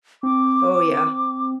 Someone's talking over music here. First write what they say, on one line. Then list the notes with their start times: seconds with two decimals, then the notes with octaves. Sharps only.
Oh, yeah.
0.23 C4 D6